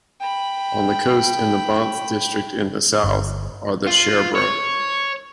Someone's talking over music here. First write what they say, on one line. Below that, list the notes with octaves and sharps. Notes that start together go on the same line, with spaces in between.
On the coast in Bonthe District in the south are the Sherbro.
G5 B5
G1
F4
C#5